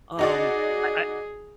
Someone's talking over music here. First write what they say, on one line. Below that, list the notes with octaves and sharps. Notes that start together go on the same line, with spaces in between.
Um, I
D#4 F#4 G#4 D5